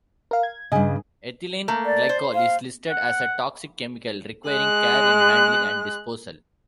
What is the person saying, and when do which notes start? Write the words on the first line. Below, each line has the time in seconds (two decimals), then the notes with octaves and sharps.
Ethylene glycol is listed as a toxic chemical requiring care in handling and disposal.
0.31 A#4 F5
0.43 G#6
0.72 G2 C#3 D#5 G#5
1.68 A3 A#3
1.85 D5
2.09 C5
2.35 F5
2.89 F#5
4.48 G#3 F#6